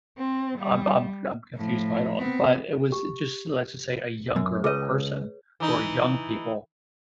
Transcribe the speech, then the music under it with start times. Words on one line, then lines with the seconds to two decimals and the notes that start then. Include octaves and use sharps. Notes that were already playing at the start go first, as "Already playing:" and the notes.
I'm I'm I'm confused by it all but, it was just let's just say, a younger person, or young people,
0.17 C4
0.59 G3
1.55 A2 F3
2.18 B3 C4
2.92 G4
4.36 F#2
4.64 C#2 G#4 B4 C#5 D#5
5.60 E3 D#4